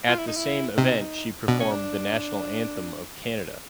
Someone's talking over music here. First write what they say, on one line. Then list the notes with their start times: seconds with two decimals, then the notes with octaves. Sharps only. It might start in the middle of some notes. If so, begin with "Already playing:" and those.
At the same event she performed the national anthem of Canada.
0.08 F4
0.18 E4
0.27 D#4
0.37 E4
0.78 C3 D#4
1.48 B2 D4
1.60 C#4
1.72 D4